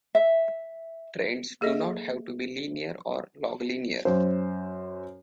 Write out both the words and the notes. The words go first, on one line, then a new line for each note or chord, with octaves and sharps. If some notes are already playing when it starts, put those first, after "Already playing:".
Trends do not have to be linear or log-linear.
E5
A#3 G#4 A4 D#5 E5
F#2 C5